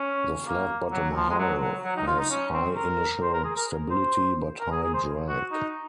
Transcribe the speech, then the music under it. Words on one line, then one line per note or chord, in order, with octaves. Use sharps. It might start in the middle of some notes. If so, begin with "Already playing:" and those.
The flat bottom hull has high initial stability but high drag.
Already playing: C#4
A#3
F#3
F3
G#3
F#3
F#3
F#3
D#4
F4
D#4
C#4
C4
A#4
C5
A#4
G#4
A#4
C5
A#4
G#4
G#4
C5
F#4
D#4